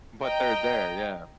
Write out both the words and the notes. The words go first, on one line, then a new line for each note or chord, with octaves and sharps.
But they're there, yeah.
D#5 G5 A#5